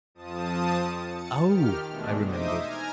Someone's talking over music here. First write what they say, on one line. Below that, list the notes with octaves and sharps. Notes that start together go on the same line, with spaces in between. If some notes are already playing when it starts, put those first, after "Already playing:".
"Oh!" I remembered.
F2 F3 A5 D#6
A6 C#7
D#3 G4 F6
E2 B2 G#3 A3 D4
D#4 C5 D#5 E5 D6 D#6
G#5 A#5 F6 G#6